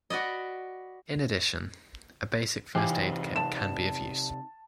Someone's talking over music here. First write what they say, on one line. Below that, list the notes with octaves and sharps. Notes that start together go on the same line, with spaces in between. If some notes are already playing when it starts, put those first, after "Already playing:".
In addition, a basic first aid kit can be of use.
F#4 B4 D5 D#5
C3 E3 D#4 G4 C5 G#5
A5 E7